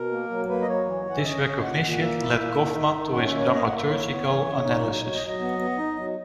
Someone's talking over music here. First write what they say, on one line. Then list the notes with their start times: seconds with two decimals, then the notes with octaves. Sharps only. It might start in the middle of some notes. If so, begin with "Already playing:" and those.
This recognition led Goffman to his dramaturgical analysis.
Already playing: B2 A#4
0.11 A#3
0.30 F#3
0.49 A#3 B4
0.62 D#5
0.67 F#3 C#5
0.86 E3
1.06 E3 F#5
1.17 E5
1.24 C#4 D#5
1.43 C#4
1.62 A#2 F#5
1.81 A#2
1.91 F#5
2.00 A#3 E5
2.19 E4
2.37 A#3
2.56 D#3
2.75 D#4
2.95 D#3
3.13 C#4 F#5
3.26 E5
3.32 A#3
3.39 C#5
3.50 A#3 D#5
3.63 F#5
3.70 A#3
3.76 E5
3.88 E4 C#5
4.07 B3
4.26 E3
4.45 C#3
4.64 D#4
4.83 F#3
5.02 F#3 C#5
5.14 D#5
5.21 F#3
5.27 D#5
5.40 B3
5.59 B3
5.78 D#4
5.96 F#3